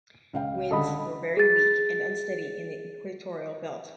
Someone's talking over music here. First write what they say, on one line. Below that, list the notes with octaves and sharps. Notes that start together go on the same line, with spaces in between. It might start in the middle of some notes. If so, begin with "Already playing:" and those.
Winds were very weak and unsteady in the equatorial belt.
C#2 F5 G5
C#2 D3 A4 D#5 B5
G#4 A6